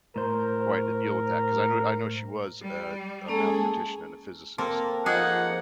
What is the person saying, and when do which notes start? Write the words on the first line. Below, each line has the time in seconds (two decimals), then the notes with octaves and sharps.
quite a deal with that, 'cause I know I know she was a a mathematician and a physicist.
0.16 A2 A#4 C5
2.61 G3
3.28 G#3 A#3 C#4 G#4 A4
4.58 A#3 C4 A4 A#5
5.06 F3 A#3 D#4 G#4 F#5